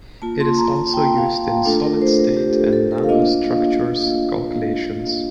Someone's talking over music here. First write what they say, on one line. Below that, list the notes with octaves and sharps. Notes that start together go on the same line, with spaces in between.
It is also used in solid state and nanostructures calculations.
A#3 F4 A5
C6
A#5
A5
G5
F5
A3 D4 F4 A4
A#4
C5
A#4
G4
A4
A#4
F5
A#3 D4 F4 D#5